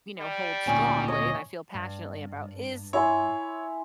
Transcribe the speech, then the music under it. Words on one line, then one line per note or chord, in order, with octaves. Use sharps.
you know, hold strongly and I feel passionately about is
G3
D2 A#2 C#4
C#5 D#5
G2
E4 C#5 G#5 C6